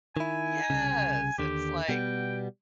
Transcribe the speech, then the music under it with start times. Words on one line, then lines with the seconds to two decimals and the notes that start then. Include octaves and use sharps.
Yes, it's like
0.17 D#3 E4 G#5
0.70 C2 C#3
1.39 D#2 D3 G4
1.89 B2 G3 B3 G5